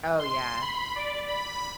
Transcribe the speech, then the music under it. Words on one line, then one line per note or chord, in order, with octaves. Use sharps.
Oh, yeah.
C6
B5
D5
B5